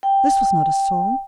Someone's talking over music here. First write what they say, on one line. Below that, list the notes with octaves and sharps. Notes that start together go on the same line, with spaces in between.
This was not a song.
G5